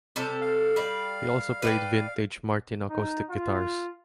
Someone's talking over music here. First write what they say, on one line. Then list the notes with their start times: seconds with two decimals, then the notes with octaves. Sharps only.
He also played vintage Martin acoustic guitars.
0.16 C3 G3 A4
0.41 F5
0.76 G3 D5
1.62 B4 D5 G5
2.90 D#4
3.30 F4